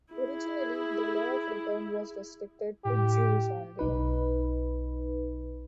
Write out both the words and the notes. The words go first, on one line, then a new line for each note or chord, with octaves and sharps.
Originally, the Law of Return was restricted to Jews only.
E4 G#4
A2 G4
B1 D#4 B4